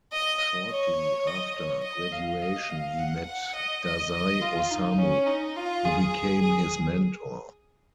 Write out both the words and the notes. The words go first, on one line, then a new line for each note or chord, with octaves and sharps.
Shortly after graduation, he met Dazai Osamu, who became his mentor.
D#5
C#5
D#5
C#5
D#5
F5
D#5
F5
F#5
F#5
D#5
D#5
D#5
F4
D#4
C#4
D#4
F4
G#4
G#4